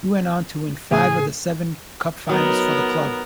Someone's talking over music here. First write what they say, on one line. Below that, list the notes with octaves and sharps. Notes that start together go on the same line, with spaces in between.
He went on to win five of seven cup finals for the club.
A2 C#3 G#4
F#3 B3 D#4 A#4